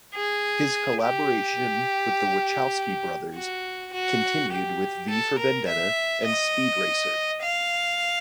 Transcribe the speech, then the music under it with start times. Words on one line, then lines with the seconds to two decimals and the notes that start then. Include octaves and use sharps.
His collaboration with the Wachowski brothers continued with "V for Vendetta" and "Speed Racer".
0.15 G#4
1.02 G4
3.35 F#4
3.93 F#4
4.52 G4
5.10 A4
5.39 A#4
5.68 E5
6.27 D#5
7.43 F5